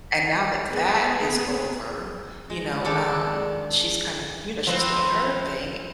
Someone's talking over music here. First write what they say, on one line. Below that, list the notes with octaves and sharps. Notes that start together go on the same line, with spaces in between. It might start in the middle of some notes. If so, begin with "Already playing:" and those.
And now that that is over, you know, um, she's kind of, you know, she's doing her thing.
B3 G#4
G#3
D#3 G#3 D4 A4 C#5
F3 C4 B4